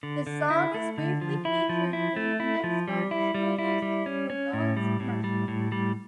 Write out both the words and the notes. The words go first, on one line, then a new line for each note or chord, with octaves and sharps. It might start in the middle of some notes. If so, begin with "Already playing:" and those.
The song is briefly featured in a Nexgard Chewables for Dogs commercial.
D3
D3
E4
A3
D3
F3
E4
F3
E4
A3
E4
F3
G3
E4
G3
E4
G3
C#4
C#4
A2
G3
A2
G3
A2
G3